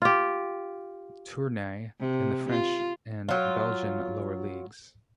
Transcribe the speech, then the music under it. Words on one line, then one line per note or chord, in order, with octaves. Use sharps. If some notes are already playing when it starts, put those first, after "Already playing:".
Tournai in the French and Belgian lower leagues.
F4 G4
C3
F4
F#3 F4